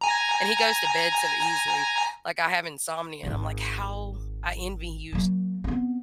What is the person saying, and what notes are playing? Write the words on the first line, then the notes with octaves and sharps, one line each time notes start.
and he goes to bed so easily. Like, I have insomnia and I'm like, "How I envy you so
G#5 A#5
G#1 F4
F#3 A#3
B3 C4